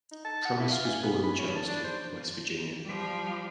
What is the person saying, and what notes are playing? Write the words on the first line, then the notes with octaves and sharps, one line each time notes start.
Price was born in Charleston, West Virginia.
D#4
A5
F#5
E4
F5
G#5
B3
B5
C#5
A5
D4
C5
F3 G3